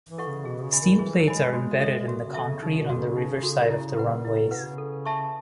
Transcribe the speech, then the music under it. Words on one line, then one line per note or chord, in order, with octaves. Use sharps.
Steel plates are embedded in the concrete on the river side of the runways.
E3
A4 D#5 F#5 C#6
C#3
B2 G#4
C#3
D#5 G#5 B5
D#3
E3 G#4
F#3
D#5 G#5 B5
G#3
F#4
A4 E5
B2 F#4
C#3
A4 E5
C#3
C#3 D#4
B2
F#4 A4
C#3
D#4
F#4 A4
E4
B4 F#5
C#3 E4
B2
B4 F#5
C#3
A4
E5 A5 C#6